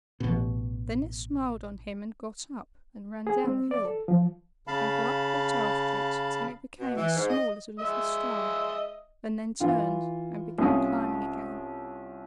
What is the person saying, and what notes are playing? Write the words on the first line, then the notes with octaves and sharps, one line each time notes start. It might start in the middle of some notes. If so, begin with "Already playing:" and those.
Then it smiled on him and got up and ran down the hill; and Gluck looked after it till it became as small as a little star, and then turned and began climbing again.
A1 B2
G#4
C4
D5
A4
F3
C#3 F5 A5 B5
B2
E3
G#2
D#5
G#3 D#5 E5
E3 F4
C2 C#4 F4 D#6